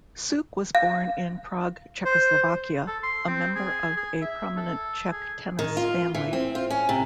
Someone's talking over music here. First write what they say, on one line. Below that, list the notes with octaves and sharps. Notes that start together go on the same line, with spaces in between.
Suk was born in Prague, Czechoslovakia, a member of a prominent Czech tennis family.
F5
C5
A4
C6
C4
G#4
G#4
E5
A4
G#4
D#3
F4
E3
C4
F4
C#4
C3